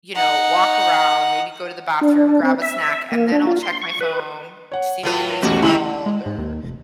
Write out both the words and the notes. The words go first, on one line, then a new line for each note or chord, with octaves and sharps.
you know, walk around, maybe go to the bathroom, grab a snack, and then I'll check my phone to see if anybody's called or,
D#4 F#5
D4
C4
E5
A#3
D4
F4
C6
C#6
B4
C#5 F#5
A2 F#3 F4 B4
B1 E2 A3 C#4 F#4 G4
C#2 D#3 G3 E4 C6 F#7
G#3
G#2
D#2
F1